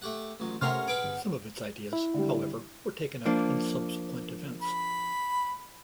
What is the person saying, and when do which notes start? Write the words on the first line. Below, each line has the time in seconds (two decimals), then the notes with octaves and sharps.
Some of its ideas, however, were taken up in subsequent events.
0.02 A3 G4 F#5
0.40 A1 F#3 F4
0.61 C3 A3 C#4 A#4 F#5 C6 F6
0.87 G#4 B4 F5 D7
1.04 G1
1.93 E4
2.14 D3 G3
3.26 F3 A#3 D4
4.62 B5